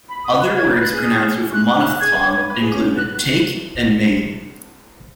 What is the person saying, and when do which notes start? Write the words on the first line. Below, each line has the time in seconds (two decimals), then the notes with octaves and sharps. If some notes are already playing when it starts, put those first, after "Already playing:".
Other words pronounced with a monophthong include: take and made.
0.09 B5
0.24 D#6
0.32 B4
0.40 F#6
0.56 C#5 G#6
0.69 B4
0.80 B4 F#6
0.93 G#4
1.05 D#6
1.54 F#6
1.77 F#6
2.00 G#4 G#6
2.13 B4
2.25 C#5
2.37 B4
2.50 B4
2.62 G#4
2.74 C#4
2.85 B3
2.97 B3 F#6